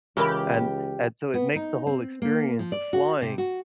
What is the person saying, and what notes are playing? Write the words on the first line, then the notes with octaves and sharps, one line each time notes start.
and and so it makes the whole experience of flying
C#2 C#3 E3 G4 A#4 B5
B3
D#4
C4
A#3
F3
D5
F#4
C3
F#4